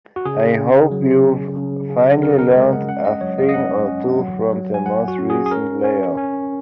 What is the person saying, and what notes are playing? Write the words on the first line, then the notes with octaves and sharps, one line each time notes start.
I hope you've finally learned a thing or two from the most recent layoff.
F#4
C#3 G#4
C#3
F#3
C#4
C#3
C#3
C#3 A#4
A#4
G#3 D#5
F#5
C#4 F#5
D#5
F#3 C#5
D#5
D#5
C#4 F#5
C#4
F#3
F#3
G#5
F#3 F#5
F#4
C#4
G#4
G#4
C#4 A#4
C#4
C#4